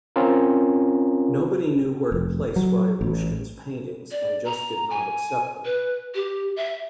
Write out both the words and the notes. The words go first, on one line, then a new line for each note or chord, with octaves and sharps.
Nobody knew where to place Ryabushkin's paintings and just did not accept them.
C4 C#4 F4 A#4
F1
F#3
A1
D5
A#5
G#5
B4
G4
E5